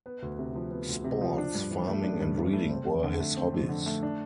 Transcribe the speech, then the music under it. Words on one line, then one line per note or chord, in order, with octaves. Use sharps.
Sports, farming and reading were his hobbies.
B3
D2
C3
F3
B3
D2
C3
F3
D4
G2
E3
A3
D4
G2
E3
A3
C4
F2
D3
A3
C4
F2
D3
A3
D4